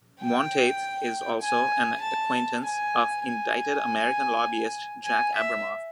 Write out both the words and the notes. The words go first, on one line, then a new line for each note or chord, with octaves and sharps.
Monteith is also an acquaintance of indicted American lobbyist Jack Abramoff.
G5
G#5
A5
G#5
G#5
G#5
E5